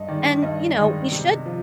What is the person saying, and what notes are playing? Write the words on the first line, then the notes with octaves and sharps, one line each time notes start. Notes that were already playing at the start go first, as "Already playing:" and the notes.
and, you know, you should
Already playing: G2 D#5
D#3 G#3 D5
G2 D#5
D#3 G#3
C3
F3